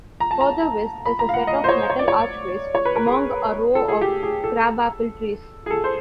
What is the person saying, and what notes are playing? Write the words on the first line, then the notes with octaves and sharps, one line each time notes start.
Further west, is a set of metal archways among a row of crabapple trees.
A#5
A5
A#5
B5
A#5
F5
F#5
D#5
C5
C#5
C#5
D5
C#5
C#5
B4
A#4
G#4
A4
G#4
G4
G#4
A4
G#4
A4
C5